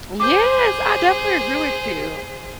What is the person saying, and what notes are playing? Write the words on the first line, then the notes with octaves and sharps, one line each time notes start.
Yes, I definitely agree with you.
G#4 C5 D6 G6